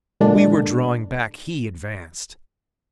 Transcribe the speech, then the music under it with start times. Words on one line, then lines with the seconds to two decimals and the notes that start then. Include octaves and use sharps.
We were drawing back, he advanced!
0.20 A#2 D3 G#3 D4